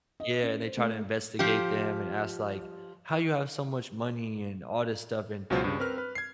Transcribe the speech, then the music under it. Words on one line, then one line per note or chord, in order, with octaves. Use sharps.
yeah, and they try to investigate them and ask, like, "How you have so much money and all this stuff," and
D#5
C#4
C5
A3
F3 G4
C#2 B2 F#3 F4 C5
G2 C#3
C4 A#4 B4 F6
B4
G#6 C7